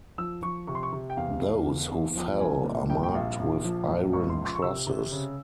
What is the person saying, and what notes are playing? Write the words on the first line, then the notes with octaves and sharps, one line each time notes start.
Those who fell are marked with iron crosses.
F3 E6
F3 C#6
C3 C#6
C6
C#6
C3
G5
E2 F5
E2
E2
E2
F3
C2 G#5
A#2
C2 G5
G5
A#1 F5
A#1
F3
A#1
C#2 C#6
C6
F3
C6
C#6
C3 E6
C3
C#3